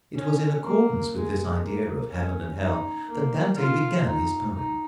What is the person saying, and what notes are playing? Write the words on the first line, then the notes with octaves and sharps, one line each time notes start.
It was in accordance with this idea of Heaven and Hell that Dante began his poem.
C#4
A#3
G#3
A#3
C#4
D#4
A#3
F4
D#4
D#4